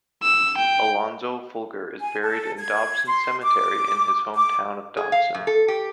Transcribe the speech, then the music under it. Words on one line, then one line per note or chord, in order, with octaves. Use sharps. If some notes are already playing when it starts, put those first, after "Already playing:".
Alonzo Folger is buried in Dobson Cemetery in his hometown of Dobson.
E6
G5
G#5
A4
G#6
C6
D6
D6
G#4
F5
F#2
A4
G4